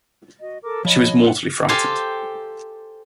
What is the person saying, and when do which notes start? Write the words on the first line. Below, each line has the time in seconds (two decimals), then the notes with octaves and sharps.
She was mortally frightened.
0.41 F#4 D#5
0.64 A4 A#4 D6
0.85 F3 C#5 D#5 B5
1.23 F4 E5 F#5
1.69 G4 A4 C5 F5 G#5